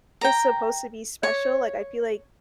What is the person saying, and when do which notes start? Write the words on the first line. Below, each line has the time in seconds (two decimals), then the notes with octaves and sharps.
it's supposed to be special, like, I feel like
0.21 G5 A#5
1.23 C#5